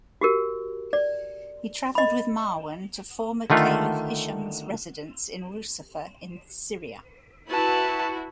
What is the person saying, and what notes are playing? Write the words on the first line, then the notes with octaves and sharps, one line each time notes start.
He travelled with Marwan to former Caliph Hisham's residence at Rusafah in Syria.
F#4 G4 A#4
D5
D#5 B5
D3 D#3 A3 F4 F#5
E4 F#4 B4 A5